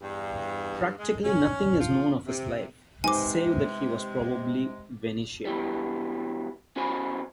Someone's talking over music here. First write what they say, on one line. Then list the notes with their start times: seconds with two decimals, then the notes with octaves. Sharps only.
Practically nothing is known of his life, save that he was probably Venetian.
0.01 E2 G2
0.97 G#3
1.23 C#4
1.79 F3 F4
2.26 C3
3.04 C3 G#3 D#4 B4 C5 G#5 D6
5.45 B2 E3 G3
6.76 E2 C#4 F#4 C5 G#5 B5